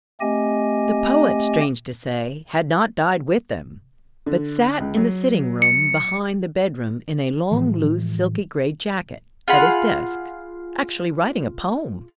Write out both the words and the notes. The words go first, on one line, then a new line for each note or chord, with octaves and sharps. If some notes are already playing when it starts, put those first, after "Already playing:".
The poet, strange to say, had not died with them, but sat in the sitting-room behind the bedroom in a long loose silky-grey jacket, at his desk--actually writing a poem!
A3 C4 G4 D#5 G#5
D3
C#2
F#3
C#7
A2 E3 F3 G#3
F4 G#4 F#5 B5